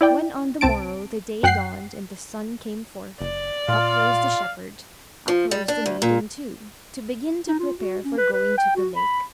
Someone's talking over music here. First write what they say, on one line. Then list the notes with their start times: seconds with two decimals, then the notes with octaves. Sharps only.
When, on the morrow, the day dawned and the sun came forth, up rose the shepherd, up rose the maiden too, to begin to prepare for going to the lake.
0.01 E4 D5 G5
0.61 C2 C4 A5 D7
1.43 F#2 F#5 G5 F#6 C7
3.21 F#1 D5
3.68 A#2 F4 F5
5.28 F3
5.51 G3
5.68 D4
5.86 D2
6.02 A#2
7.48 D#4
7.60 F4
7.79 F#4
8.05 C#4
8.18 B4
8.33 B4
8.58 G5
8.76 F#4
8.96 B5